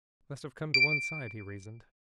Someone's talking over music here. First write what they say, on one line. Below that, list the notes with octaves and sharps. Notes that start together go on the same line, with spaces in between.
"Must have come to one side," he reasoned.
D7